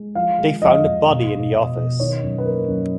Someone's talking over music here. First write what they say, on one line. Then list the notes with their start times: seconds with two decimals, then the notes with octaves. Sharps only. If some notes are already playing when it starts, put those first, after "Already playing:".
They've found a body in the office.
Already playing: G#3
0.15 F3 F5
0.39 G#3
0.62 F2 D#5
0.84 F2
1.08 B2
1.30 B2
1.53 B2
1.76 B2
2.00 D#3 C#5
2.23 F#2
2.38 B4
2.46 A#3 A#4
2.68 F#2